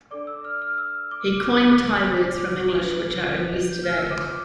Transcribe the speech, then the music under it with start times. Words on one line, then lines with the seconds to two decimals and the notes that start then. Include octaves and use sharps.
He coined Thai words from English which are in use today.
0.11 D4 A4 D5 D6
0.27 E6
0.44 F6
0.62 F6
0.78 E6
1.11 D6
1.45 D6
2.12 D6
2.78 D4 F4 B4
3.71 G6
3.84 F6
3.98 E6
4.11 D6